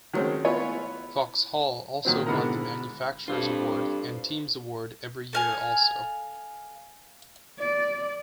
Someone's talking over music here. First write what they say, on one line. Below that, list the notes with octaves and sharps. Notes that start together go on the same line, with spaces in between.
Vauxhall also won the Manufacturers Award and Teams Award every year also.
D#3 F#3 G#3 A3 C4 C#4
B3 E4 F4 B4 C#5 G#5
A#2 D#3 F#3 C4
G#2 D3 B3 E4 A#4 A#5
G2 C4 F4 A4
A4 F5 G#5
D5